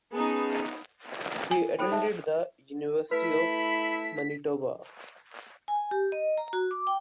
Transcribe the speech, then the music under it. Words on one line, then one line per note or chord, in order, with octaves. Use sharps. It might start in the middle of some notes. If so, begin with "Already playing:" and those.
He attended the University of Manitoba.
B3 C#4 D#4 G#4 A5
G#5
A4 C5 G5 B5
D#4 E5 A5
A3 E4 B4 B5 B6
G#5
G4
D#5
A#5
F#4
D6
G5